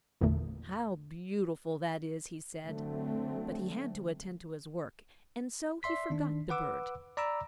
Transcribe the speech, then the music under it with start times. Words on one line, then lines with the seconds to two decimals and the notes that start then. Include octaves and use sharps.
"How beautiful that is!" he said; but he had to attend to his work, and so he forgot the bird.
0.21 G#1 E2 A#2 D3 A3
2.64 D3 F#3 A3 C4
5.83 D5 E5 C6 B6
6.10 D#3 D4
6.49 B4 F#5 D6 E6
7.17 D5 A#5 B5 D6 E6